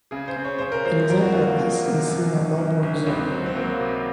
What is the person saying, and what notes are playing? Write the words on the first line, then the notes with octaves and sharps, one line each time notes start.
An example of this is seen at Melbourne Zoo.
C#3 G#4
C5
C#3
C#5
C#3 C5
A#4
F2 C5
F2 A#4
F#4
F#3 F4
A#3
F2 A#3
C3
F#2
G#1
F#2
G#1
C#4
C#2 C4
F#3
C4
F#3 A#3
C3